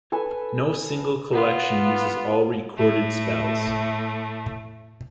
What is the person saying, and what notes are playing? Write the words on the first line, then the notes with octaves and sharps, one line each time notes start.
No single collection uses all recorded spells.
A4 B4 G#5
B3 F4
A2 A3